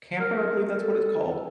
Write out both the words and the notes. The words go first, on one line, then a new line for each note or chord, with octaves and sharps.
camper- I believe that's what it's called-
A#4
A4